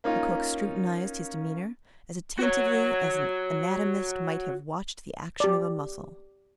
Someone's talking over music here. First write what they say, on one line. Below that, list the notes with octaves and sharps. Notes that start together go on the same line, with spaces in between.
Lecoq scrutinized his demeanor as attentively as an anatomist might have watched the action of a muscle.
A#3 C#4 D#4 F4
F#4 C#5
G4 D5